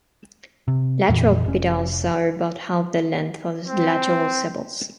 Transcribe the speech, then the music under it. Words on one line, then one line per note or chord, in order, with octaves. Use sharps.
Lateral petals are about half the length of the lateral sepals.
C3
F2 A#2 D#3 E3
F1 C#4
C4